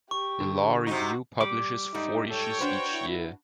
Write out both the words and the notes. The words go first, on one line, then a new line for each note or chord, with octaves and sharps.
The law review publishes four issues each year.
G4 C#6
D3
C3 D#4 F#4
G3 D6
G#2 G3 A3 D#4
A4 C#5 G5
D4 F#4 B4 C5
E4